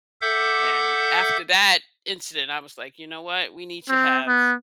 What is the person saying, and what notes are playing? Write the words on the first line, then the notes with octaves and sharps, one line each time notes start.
and after that incident I was like, "You know what, we need to have
A4 E5 F#5 D6 G6
C4
B3